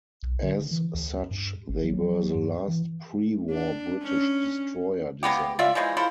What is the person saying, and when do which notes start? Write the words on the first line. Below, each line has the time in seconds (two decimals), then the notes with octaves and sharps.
As such they were the last pre-war British destroyer design.
0.23 B1
0.43 D3
0.71 E3
0.94 D2
1.31 G2
1.69 G#1
1.84 F#3
2.35 G2
2.68 E3
3.50 D4
4.03 C#4
5.23 G#3 A#3 B3 G4
5.59 F4 D5 E5
5.75 E3 F3 G#3 D#4
5.97 F3 E4 A4 C5